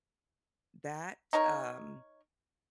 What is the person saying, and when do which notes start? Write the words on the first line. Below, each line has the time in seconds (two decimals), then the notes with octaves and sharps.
that, um,
1.33 D#4 A#4 C#5